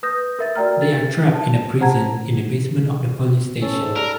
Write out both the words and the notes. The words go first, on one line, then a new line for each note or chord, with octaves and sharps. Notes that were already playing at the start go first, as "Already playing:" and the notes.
They are trapped in a prison in the basement of the police station.
B4 D#6 G6 A#6
A#4 E5 A6
F#4 A#4 D5 G5 A#5 F6
A6
A5
C5 F#5 A5 A#5 G#6
C#4 A4
G#2
G3 A#4